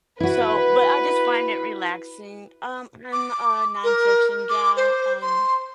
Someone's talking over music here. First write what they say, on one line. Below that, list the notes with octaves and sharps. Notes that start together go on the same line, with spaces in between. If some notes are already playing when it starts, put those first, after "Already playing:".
So but, I just find it relaxing um, I'm a nonfiction gal, I'm
E4 F#4 B4
D6
A#4
D6
C5
C6